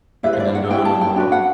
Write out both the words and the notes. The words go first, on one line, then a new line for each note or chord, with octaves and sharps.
I can endure no more.
E4 G4 B4 E5
C5
D5
F#5
E4 G4 B4 G5
A5
G5
D4 F#4 B4
F#5